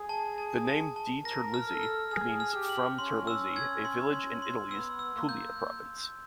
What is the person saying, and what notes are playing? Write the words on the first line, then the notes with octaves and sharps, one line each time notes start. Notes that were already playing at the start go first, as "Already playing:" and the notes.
The name DiTerlizzi means "from Terlizzi", a village in Italy's Pulia province.
Already playing: G#4
A5
A5
A5
A5
A#4 A#6
F6
A4
F6
G#4 F6
F6
G4
F#7
C#4 C6
E6
G#6
C6
C6
C6
B3 E6
E6
A#3
G6